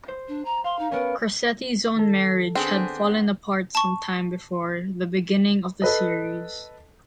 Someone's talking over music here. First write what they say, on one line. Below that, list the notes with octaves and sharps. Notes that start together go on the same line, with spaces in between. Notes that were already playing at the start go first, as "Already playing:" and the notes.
Crosetti's own marriage had fallen apart sometime before the beginning of the series.
C5
D4
A#5
F5 C6
D#4
B3 C#4 A#4
D#3 A4
B3 C4 D4 G#4
A5 C#6
A4 B4 D#5